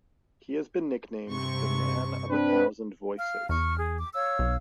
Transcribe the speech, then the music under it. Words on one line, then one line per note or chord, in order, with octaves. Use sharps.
He has been nicknamed "The Man of a Thousand Voices".
G2 C3 C#6
C4 D4 B4
F5 F6
E2 C#6 F6
G#4
D6
C#5 F5 E6
B1